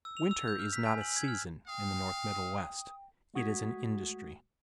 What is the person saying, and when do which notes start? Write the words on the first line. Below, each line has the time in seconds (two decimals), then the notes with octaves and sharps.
Winter is not a season in the North Middlewest; it is an industry.
0.05 E6
0.17 F7
0.31 E6
0.48 G6
0.59 F6
0.73 B6
0.86 G#5
1.01 F#7
1.17 G#6
1.28 F6
1.67 F5 G5 D#6
3.34 G#3 A3 F#4 D#6 G#6 B6